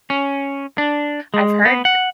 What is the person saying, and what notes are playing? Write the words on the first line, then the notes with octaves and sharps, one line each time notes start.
I've heard
C#4
D4
G#3
B3
F#5